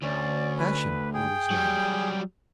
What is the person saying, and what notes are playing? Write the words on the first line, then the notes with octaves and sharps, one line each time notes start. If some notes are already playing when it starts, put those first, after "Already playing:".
Passion there was none.
D2 C#4 D5
B4
G#4 G5
F#3 G3